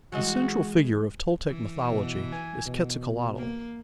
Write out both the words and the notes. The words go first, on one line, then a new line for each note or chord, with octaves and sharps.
The central figure of Toltec mythology is Quetzalcoatl.
E3 G#3 F#4 D#5
E3
B2
G#5
B2
A#3